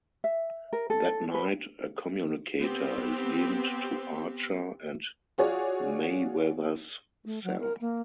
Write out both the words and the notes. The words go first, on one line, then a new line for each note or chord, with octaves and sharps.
That night, a communicator is beamed to Archer and Mayweather's cell.
E5
A#4
A4
B4
B3 C4 G4
F4 F#4 G#4 C#5 D5
A3
F#3
A#4
A#3